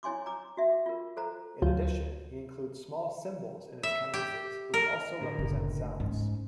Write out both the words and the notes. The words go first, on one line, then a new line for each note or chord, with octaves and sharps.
In addition, he includes small "symbols" in his canvases which also represent sounds.
E4 C#5 G#5 C6 D6
A#5 D6
F#4 E5
F4 A#4
A4 C5 A#5
D2 F#3 F4 G6
E5
G4
A#4
A2 D3 A#4
F#1
G#2 C#4